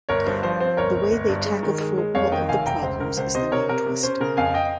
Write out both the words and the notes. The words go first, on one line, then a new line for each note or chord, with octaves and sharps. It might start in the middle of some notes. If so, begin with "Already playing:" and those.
The way they tackle through all of the problems is the main twist.
G1 A#4 C#5
G2 C5
F3 C5
C4 C5
G1 A#4 C#5
G1
G1
G2
G#3
D#3
G#3
G#3
F2 C#5 F5
D#3 D#5 G5
F1 F5 G#5
F1 G5 A#5
C#2 C5
C#2 A#4
C#2 C5
C3 C5 D#5
C3 A#4 C#5
C3 A#4
C3
C#4 C5
C#3 A#4
F2 F5 G#5
D#5 G5